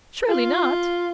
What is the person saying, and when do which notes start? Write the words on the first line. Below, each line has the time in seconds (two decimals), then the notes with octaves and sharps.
"Surely not?"
0.29 F4